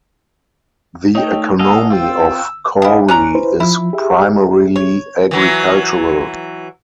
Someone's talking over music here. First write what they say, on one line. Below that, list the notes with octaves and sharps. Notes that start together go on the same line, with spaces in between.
The economy of Koori is primarily agricultural.
A3 D#4 C#5 D#5 G5
A#3 D#5 F5 F#5 G#5 A5 E6
C4 F4 F5 G5 E6
D4 E4 D#5 F5 D#6
C#4 D5 A#5 F#6
E4 B4 C5
F3 E4
G4 G#4 E5
C#5
E3 F#3